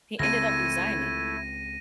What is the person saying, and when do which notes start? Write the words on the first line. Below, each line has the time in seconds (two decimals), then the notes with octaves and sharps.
he ended up resigning.
0.19 C#2 A3 C4 E4 A4 G#6 A#6 D#7